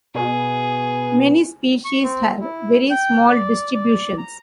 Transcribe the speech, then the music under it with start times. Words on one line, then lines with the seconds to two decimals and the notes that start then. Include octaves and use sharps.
Many species have very small distributions.
0.15 B2 G#4
1.85 C#6
2.03 C4
2.40 E4
2.90 G5
3.29 D5
3.74 D5
4.18 A#5